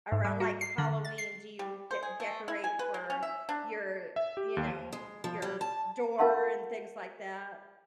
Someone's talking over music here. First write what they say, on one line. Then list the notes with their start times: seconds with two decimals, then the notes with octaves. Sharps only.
around, like, Halloween? Do you de decorate for your, you know, your door and things like that?
0.12 G#2
0.24 G3
0.40 F#4
0.61 C7
0.78 D3
1.05 A6
1.18 C7
1.59 G3
1.91 C5
2.03 G#4
2.20 A3
2.48 E4
2.64 G#5
2.79 B4
2.94 G#3
3.10 C#4
3.23 E5
3.49 D4
4.16 E5
4.37 G4
4.57 D#2
4.92 G#3
5.24 F3
5.42 G3
5.61 A5
6.18 F4 A#4 F5 F#5 A5 C6